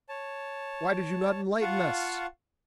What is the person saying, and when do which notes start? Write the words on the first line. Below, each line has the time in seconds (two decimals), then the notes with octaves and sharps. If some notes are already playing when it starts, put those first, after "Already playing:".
Why did you not enlighten us?
0.09 C#5 A5
1.61 F4 F5 F#5 A5 C#6